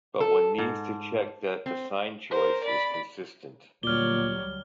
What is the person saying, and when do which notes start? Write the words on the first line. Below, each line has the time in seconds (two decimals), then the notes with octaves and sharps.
But one needs to check that the sign choice is consistent.
0.20 A4
0.58 G#2
1.66 C4
2.31 A#4 C5
2.63 D5 B5
3.83 D2 A#2 F#3 G3 C#5 D5 F6 G7